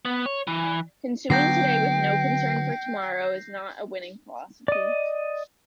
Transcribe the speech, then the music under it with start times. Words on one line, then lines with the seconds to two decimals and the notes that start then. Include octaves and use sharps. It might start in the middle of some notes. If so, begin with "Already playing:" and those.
Consuming today with no concern for tomorrow is not a winning philosophy.
0.05 B3
0.26 C#5
0.48 E3
1.30 D3 F#3 B3 G5 G6 A#6 C7
4.68 D5 D#5